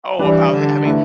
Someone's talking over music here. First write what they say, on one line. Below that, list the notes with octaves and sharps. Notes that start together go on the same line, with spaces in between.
Oh, about h having
E3 G3 D4 B4 D5
D3
A3 E4 B4